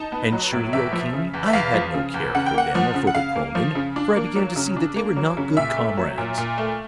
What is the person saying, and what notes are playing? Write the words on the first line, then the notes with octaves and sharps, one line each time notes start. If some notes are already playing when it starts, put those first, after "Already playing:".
And surely, O king, I had no care for them or for their cronan, for I began to see that they were not good comrades.
Already playing: D#4 A5
B3
F#3
A2
E2 E5
F3
C#3
E2
E5
E2 F5
F3
C#3
E2
C#3 F#5
G5
A#3 F#5
F3
C#3
F#5
C#3 F5
A#3
F3
C#3
D4
A#3
F#3
C#3
D4
A#3
F#3
C#3
A#2 E5
A3
F#3
A#2
A#2
A3